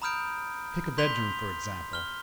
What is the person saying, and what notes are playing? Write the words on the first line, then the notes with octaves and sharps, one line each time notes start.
Take a bedroom, for example.
A#5 B5 D#6 F6 G6 D7
C6 G6 B6 F7 G7
F6 G7